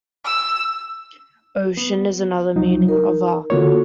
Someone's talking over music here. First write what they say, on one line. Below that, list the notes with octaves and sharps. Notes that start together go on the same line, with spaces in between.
Ocean is another meaning of Va.
E6
B3
C2 F#3 D#4
D#4 A#4
D3 A#3 F4 F#4 A4 C#5